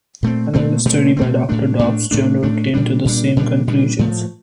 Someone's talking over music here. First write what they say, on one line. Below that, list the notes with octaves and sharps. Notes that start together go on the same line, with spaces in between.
Another study by Doctor Dobb's Journal came to the same conclusions.
A#2 A3 C4
A#2 A3 C4
A#2 A3 C4
A#2 A3 C4
A2 A3 D4
A2 A3 D4
A2 A3 D4
A2 A3 D4
A#2 G3 D4
A#2 G3 D4
A#2 G3 D4
A#2 G3 D4
A2 F3 A3